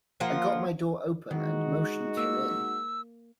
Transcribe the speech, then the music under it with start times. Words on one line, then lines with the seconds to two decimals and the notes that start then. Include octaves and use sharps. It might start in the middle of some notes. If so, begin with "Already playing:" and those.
I got my door open and motioned him in.
0.20 F3 A#3 F4 F#5
1.30 D#3 E3 G#3 D#4 F#4
2.17 A#3 E6